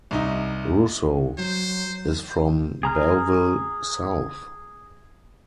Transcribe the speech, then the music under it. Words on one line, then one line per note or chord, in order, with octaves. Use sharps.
Rossouw is from Bellville South.
C2 D#4 E5
F#3 C5
G#4 A#5 F6